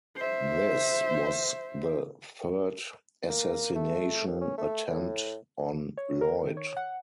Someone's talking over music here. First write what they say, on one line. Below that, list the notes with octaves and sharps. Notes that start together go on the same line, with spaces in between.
This was the third assassination attempt on Lloyd.
C5 E5
A#3
A3
D#2
C#4
A3
A2
C#5
A#4
D#3
C#5
F#5